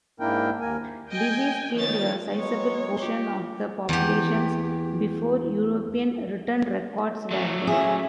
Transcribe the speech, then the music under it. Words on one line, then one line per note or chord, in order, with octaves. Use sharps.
Disease killed a sizable portion of the populations before European written records were made.
G#2 A#3 D4 E4 A#4 G5
D#2 A#3 A#4 G#5
D#5 G5 G#5
D#3 F3 C#5 A6
F#3 G#3 B3 C#5
F4 G4
E2 G4
F#3 A3
C#4 G#4 E5